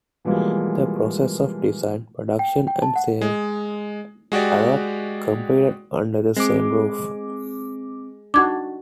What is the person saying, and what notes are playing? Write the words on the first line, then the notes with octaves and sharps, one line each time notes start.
The process of design, production and sale arec completed under the same roof.
B2 E3 F3 G3 G#3 A#3
G5
G5
A5
F#5
G#3
G#3 F#4 G4 D5
G#3 C4 D6
D4 D#4 F#4 D6 G#6